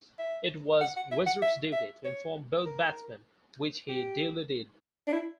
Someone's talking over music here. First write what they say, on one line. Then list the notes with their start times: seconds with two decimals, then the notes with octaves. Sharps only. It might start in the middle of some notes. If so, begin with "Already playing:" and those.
It was Weser's duty to inform both batsmen which he duly did.
0.19 E5
0.81 F#5
0.97 F#5
1.12 E5
1.26 F#5
1.42 E5
1.73 E5
2.05 C#5
2.66 A#4
3.89 G4
5.07 D4
5.13 E4